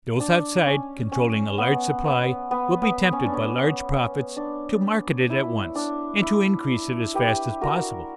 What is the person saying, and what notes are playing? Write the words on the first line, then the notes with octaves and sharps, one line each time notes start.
Those outside, controlling a large supply, will be tempted by large profits to market it at once and to increase it as fast as possible.
D4
C#4
C#4
B3
B3
B3
B3
C#4
D4
C#4
D4
E4
D4
E4
G4 B4
F#4 A#4